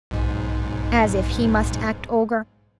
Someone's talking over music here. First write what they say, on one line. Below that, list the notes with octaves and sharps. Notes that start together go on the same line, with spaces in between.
'As if he must act Ogre.
B1 G#2